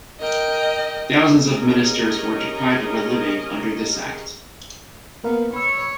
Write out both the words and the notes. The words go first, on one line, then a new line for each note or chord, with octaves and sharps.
Thousands of ministers were deprived of a living under this act.
A#4 D#5 G5
C#4 G4 G#4 A#4 C#5 D#5
A#3 B3 A#4 F5
C#5 B5 E6